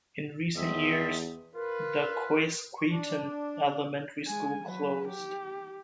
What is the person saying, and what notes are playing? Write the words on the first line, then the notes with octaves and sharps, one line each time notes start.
In recent years, the Quasqueton Elementary School closed.
E2 C4 D#5 E5
F4 A#4 B4
D4
G#3 G#5
F#3 B4
G4